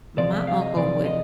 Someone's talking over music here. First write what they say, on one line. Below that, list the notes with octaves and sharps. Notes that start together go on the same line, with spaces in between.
my uncle would
C3 F3 G#3 C4 D5
E5
F5
D#5
C3 F3 G#3 C4 D5
D#5